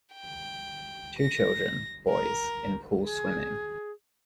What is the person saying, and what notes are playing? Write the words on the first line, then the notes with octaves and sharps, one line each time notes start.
Two children, boys, in pool swimming.
G5
A#6
A#4
G#4